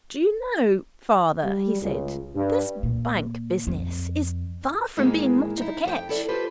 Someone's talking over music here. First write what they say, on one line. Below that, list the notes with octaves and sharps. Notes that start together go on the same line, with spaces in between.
'Do you know, father,' he said, 'this bank business is far from being much of a catch.
G3
C#2
G2
A#2
F2
G#2 D#3 E3 G#3 A#3
D#4 E4
F2 A4 G5
E4 A4 D5 E5
F4 G4 A4 B4 C5